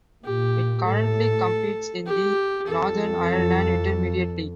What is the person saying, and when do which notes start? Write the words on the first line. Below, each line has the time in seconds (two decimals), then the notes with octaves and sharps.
It currently competes in the Northern Ireland Intermediate League.
0.24 A#2 G4
0.84 A2 A4
2.06 G4
2.66 F2 A4